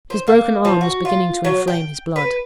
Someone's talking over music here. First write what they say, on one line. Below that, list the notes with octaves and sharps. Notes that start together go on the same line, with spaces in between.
His broken arm was beginning to inflame his blood.
C5
A#3
F3
F#4
F4
F#3
G5
B4